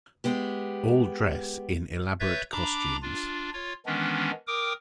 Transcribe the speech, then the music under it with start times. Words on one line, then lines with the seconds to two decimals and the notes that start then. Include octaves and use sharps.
All dress in elaborate costumes.
0.24 G#3 B3 G4
2.20 B4 C#5 E5 G6 A6
2.52 D4 A#5 B5 D6
3.02 D4 F4
3.53 F4 C#5
3.86 D#3 E3 G#3 B3 C#4 D4
4.47 A#4 G5 D6 D#6